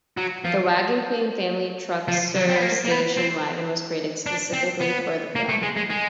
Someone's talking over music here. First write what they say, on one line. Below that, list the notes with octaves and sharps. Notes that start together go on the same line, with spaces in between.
The Wagon Queen Family Truckster station wagon was created specifically for the film.
F#3
F3
F3
F#3
C4
B3
A#3
A#3
B3
C4
D4
C4
B3
A#3
A3
G#3
G#3
G#3